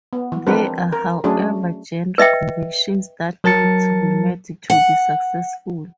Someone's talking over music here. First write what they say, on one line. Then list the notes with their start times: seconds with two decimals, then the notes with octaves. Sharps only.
There are, however, genre conventions that need to be met to be successful.
0.13 B3
0.32 E3
0.47 F3 G#3 C4 D4 A#4 B4
0.92 A#4
1.24 F#3 A3 C#4 D4 G#4
2.18 B4 D#5 E5 G5
3.44 F#3 A#4 A5 A6 C#7
4.70 F#5